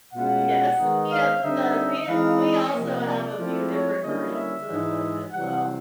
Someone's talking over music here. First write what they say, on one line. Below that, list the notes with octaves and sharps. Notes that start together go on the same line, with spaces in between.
Yes, yes, it does. We we also have a few different versions of it, as well.
B2 G#3 C#4 F4 F#5
D#3 G#3 B3 D#4
F5
D3 G3 C4 D#4 E5
E3 G#3 C4 D#4 F5
D#5
C3 F3 A#3 D#5
D5
F3 A3 C4 E4
C#5
D3 G3 A#3 C#4 E4 D#5
E5
G#2 E3 G#3
C3 E3 G3 F#5